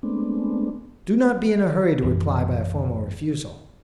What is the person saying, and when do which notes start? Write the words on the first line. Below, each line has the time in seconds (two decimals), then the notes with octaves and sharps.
Do not be in a hurry to reply by a formal refusal.
0.03 G#3 A3 B3 C4 D4
2.02 A#1 F#2 E3